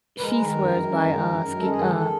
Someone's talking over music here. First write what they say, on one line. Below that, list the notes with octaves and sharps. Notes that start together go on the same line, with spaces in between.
she swears by, uh, ski uh,
B4
G#3 A#4
D#3
F#2
F#2
G#3
D#3
F#2
F#2
G#3 A4
G#4
D#3 A4
A4